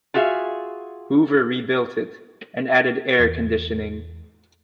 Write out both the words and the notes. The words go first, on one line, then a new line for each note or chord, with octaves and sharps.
Hoover rebuilt it, and added air-conditioning.
F4 F#4 G#4 E5 F5
E2